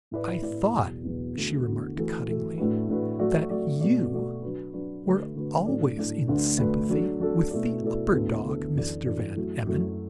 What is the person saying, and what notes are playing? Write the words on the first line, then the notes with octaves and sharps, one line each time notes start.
"I thought," she remarked, cuttingly, "that you were always in sympathy with the upper dog, Mr. Van Emmon!"
A2 A3 E4 B4 D5
A2 A3 E4 B4 D5
E2 B2 F#3 B3
E2 B2 F#3 B3
E2 D3 A3 F#4
E2 D3 A3 F#4
E3 A3 F#4 A4
E3 A3 F#4 A4
A2 A3 D4 F#4 B4
A2 A3 D4 F#4 B4
F#3 A3 F#4 D5
F#3 A3 F#4 D5
B2 A3 F#4 D5
B2 A3 F#4 D5
F#3 D4 F#4 B4
F#3 D4 F#4 B4
D3 A3 F#4 B4
D3 A3 F#4 B4
A2 F#3 D4 A4 D5
A2 F#3 D4 A4 D5
D2 D3 A3 D4 B4
D2 D3 A3 D4 B4
F#3 D4 A4
F#3 D4 A4
B2 A3 E4 A4 D5
B2 A3 E4 A4 D5
D2 D3 B3 E4 A4
D2 D3 B3 E4 A4
F#2 E3 D4 A4 D5
F#2 E3 D4 A4 D5
F#2 F#3 A3 E4
F#2 F#3 A3 E4